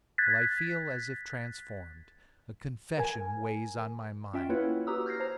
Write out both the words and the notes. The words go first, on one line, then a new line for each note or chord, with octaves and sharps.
"Well, I feel as if transformed--a confession weighs on my mind."
F#6 G#6 A6 B6
A#4 G#5
C#4 F4 E5 G5
A#3 E4 F4 B4 C#5 F#5
F#4 G4 B4 A#5 D#6 E6
F6 G6 G#6 A#6 C7
C5 A#5